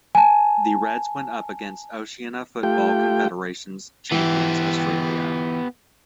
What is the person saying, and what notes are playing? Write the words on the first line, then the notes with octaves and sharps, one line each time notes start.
The Reds went up against Oceania Football Confederation's champions Australia.
G#5 A5
A3 F4 G4 G5
E3 B3 G4